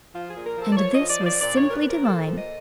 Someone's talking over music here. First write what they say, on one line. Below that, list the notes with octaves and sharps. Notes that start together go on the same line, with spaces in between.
And this was simply divine.
F3 F4
G#4
A#2
A#4
F3
A4
D5
F3 C#5
D#5
F3
D5
F3
D5
A#2 D5
C#5
A#2
A#4
B4
F3
A#4
A#2 A4
F3
D#5